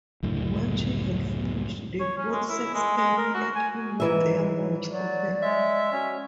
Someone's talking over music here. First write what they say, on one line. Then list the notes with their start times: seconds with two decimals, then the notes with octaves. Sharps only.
When she had finished, they both sat staring at him with their mouths open.
0.23 C#2 F#2 A2 D3
2.00 C#5
2.18 C#4
2.31 G#3
2.49 E4
2.74 G#3
2.97 G#3
3.18 A#4
3.34 F#4
3.55 G#5
4.00 G#2 E3 E5
4.90 F#3 D5
5.43 G#3 E5
5.92 C#4 F#4